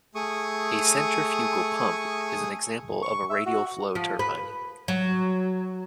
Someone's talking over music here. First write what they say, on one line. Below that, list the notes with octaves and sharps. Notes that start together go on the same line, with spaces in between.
A centrifugal pump is an example of a radial flow turbine.
A3 G#4 C#6 D#6
C#6
E5
F#4
F3
B4
F#3